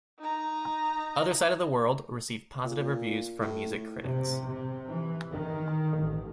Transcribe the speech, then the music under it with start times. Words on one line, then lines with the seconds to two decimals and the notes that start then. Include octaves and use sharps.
"Other Side of the World" received positive reviews from music critics.
0.19 D#4 A#5
2.65 A#2
3.41 A2
4.00 C3
4.49 C3
4.87 E3
5.34 D#3
5.99 A1